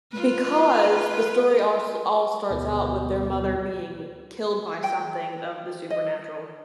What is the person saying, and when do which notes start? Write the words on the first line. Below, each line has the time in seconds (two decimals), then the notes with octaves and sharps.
because the story all s all starts out with their mother being killed by something of the supernatural
0.12 F4 B4
2.50 D2 B2 B3 G4
4.83 G5
5.90 D#5